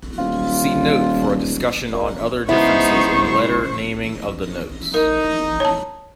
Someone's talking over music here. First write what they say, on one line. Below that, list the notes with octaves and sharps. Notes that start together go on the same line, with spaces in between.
See note for a discussion on other differences in letter naming of the notes.
D#1 F4
A#2
C#3 G#3 B3 D#4 E4 C5 C#6
D#4 A#4
C#5 A5